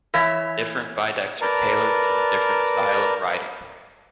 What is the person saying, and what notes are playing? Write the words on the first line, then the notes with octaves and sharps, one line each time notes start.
Different bidecks are tailored to a different style of riding.
E3 C#5 E5
A#4 B4 D5 A5 A#5